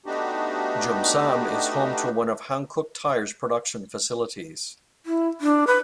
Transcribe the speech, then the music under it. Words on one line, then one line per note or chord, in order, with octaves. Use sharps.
Geumsam is home to one of Hankook Tire's production facilities.
A3 B3 D4 D#4 F#4 G4
E4
D4
B4